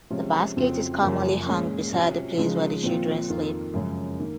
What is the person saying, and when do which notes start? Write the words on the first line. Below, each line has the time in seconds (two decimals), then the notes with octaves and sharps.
The basket is commonly hung beside the place where the children sleep.
0.10 C3 F3 G#3 C#4 F4
0.56 F2 C#3 F#3 C4 F4
1.01 F#2 C#3 F3 A#3 C#4
1.47 A#2 G#3 C#4
1.92 C3 F#3 C#4 F4
2.37 C#3 F3 G#3 D#4
2.83 A#2 F3 C4 F4
3.28 F2 D#3 A#3 F4
3.74 F#2 C#3 F3 G#3
4.19 D#3 A#3